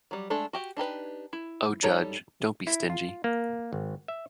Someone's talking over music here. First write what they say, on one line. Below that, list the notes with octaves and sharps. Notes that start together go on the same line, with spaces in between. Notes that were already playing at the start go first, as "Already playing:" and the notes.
Oh, judge, don't be stingy.
F#3 G3
G#3 A3 D4 A4
F#4 G4 G5
D4 D#4 G4 B4
E4
G3 D#4 A4 C#5 G5
E4
F4
A#3
G#1
E5